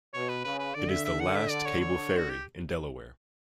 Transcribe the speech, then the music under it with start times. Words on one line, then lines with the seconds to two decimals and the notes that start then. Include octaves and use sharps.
It is the last cable ferry in Delaware.
0.14 B2 C#5
0.29 B4
0.44 C#3 B4
0.59 B4
0.75 D3 D5
0.90 E5
1.05 E5
1.20 F#5
1.35 E5
1.50 D5
1.65 C#5
1.80 C#5
2.17 F#4
2.30 G4